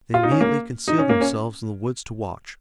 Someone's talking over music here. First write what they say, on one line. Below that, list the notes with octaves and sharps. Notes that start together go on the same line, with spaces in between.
They immediately concealed themselves in the woods to watch.
F4
D#4
C#4
A#3
D#4
C#4
A#3
C#4